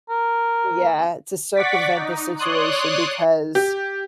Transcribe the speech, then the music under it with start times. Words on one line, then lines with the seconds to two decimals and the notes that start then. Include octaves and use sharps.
yeah, to circumvent the situation because
0.10 A#4
1.55 D5 F#5 C#6 D6 A6 B6
1.96 D#4
2.38 C#5 D5 C6 D#6 F#6
3.55 G4